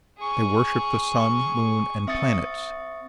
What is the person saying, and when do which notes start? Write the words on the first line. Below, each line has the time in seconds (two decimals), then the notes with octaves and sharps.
They worshipped the sun, moon, and planets.
0.18 G#4 C#6
2.07 C4 E5 C#6 D#6 A6 C#7